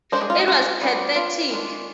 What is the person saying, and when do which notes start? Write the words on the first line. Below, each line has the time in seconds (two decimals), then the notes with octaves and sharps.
It was pathetic.
0.12 G#3 D4 C5
0.22 G#4
0.30 F4
0.39 D#4
0.48 F4
0.81 G3 B3 D4
1.16 F4
1.51 D#3 G#3 D4